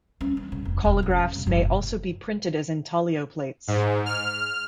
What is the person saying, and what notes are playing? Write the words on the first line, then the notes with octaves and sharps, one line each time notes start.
Collagraphs may also be printed as intaglio plates.
C#4
E3
C#3
F1
E1
C#3
E1
F#1
C3
G#2
F6